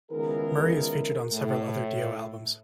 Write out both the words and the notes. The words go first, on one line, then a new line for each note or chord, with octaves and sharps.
Murray is featured on several other Dio albums.
C#2 D#3 B3 E4 G#4 A#4
A2